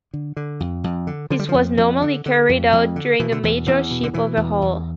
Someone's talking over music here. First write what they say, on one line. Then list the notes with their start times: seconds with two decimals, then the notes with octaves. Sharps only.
This was normally carried out during a major ship overhaul.
0.14 D3
0.36 D3
0.60 F2
0.84 F2
1.07 D3
1.30 D3 F3
1.39 G3
1.49 F3
1.54 F2
1.78 F2
2.02 D3
2.26 D3
2.49 F2
2.73 F2
2.96 D3
3.20 B2 E3
3.32 D3
3.43 E2 E3
3.67 E2 E3
3.91 B2
4.03 D3
4.14 B2 E3
4.37 E2
4.62 E2